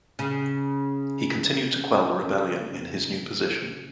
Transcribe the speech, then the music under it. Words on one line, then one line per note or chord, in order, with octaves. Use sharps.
He continued to quell the rebellion in his new position.
C#3